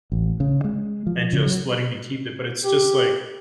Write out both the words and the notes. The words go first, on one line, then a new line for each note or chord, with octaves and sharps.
and just letting me keep it, but it's just like,
A1
C#3
G#3
F3
C#3
F#3
G4